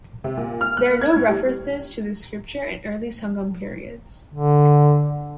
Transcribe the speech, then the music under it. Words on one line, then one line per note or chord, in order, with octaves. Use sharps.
There are no references to this scripture in early sangam periods.
C3
A#2
F6
F#6
A#3
G#6
A2
G3
D3